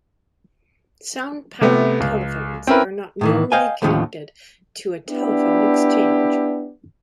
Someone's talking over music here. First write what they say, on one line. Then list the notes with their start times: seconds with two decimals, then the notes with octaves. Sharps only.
Sound-powered telephones are not normally connected to a telephone exchange.
1.61 C3 A3 B3
2.00 C#2
2.67 C4 C#4 E4 A#4 B4
3.21 A2 D#3 E3
3.52 C5 D#5 F5 G5 G#5
3.82 D#2 A2 D3 D#3 F3 C#4
5.08 B3 D4 E4 G4